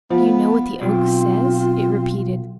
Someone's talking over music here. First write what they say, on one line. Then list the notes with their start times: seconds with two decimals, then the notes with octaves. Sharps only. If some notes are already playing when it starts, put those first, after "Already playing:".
"Do you know what the oak says?" it repeated.
0.10 F3 B3
0.82 B1 C4 F4